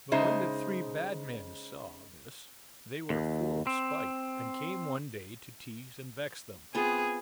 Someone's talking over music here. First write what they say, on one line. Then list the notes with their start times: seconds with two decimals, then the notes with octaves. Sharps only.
But when the three bad men saw, this, they were full of spite, and came one day to tease and vex them.
0.12 C#3 G#3 D#4 C5 E5
3.10 D#2
3.67 C4
6.75 B3 C4 F4 G#4